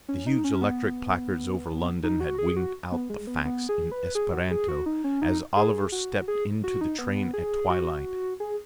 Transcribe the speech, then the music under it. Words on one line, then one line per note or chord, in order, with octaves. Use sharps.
The huge electric placards over London had winked out the facts in Esperanto as Oliver stepped into the train at twilight.
C#4
D#4
C#4
B3
D#4
F#4
G#4
F#4
B3
G#3
B3
B3
G#4
B4
G#4
F#4
G#4
F#4
D#4
C#4
D#4
G#4
F#4
G#4
F#4
D#4
B3
G#4
F#4
G#4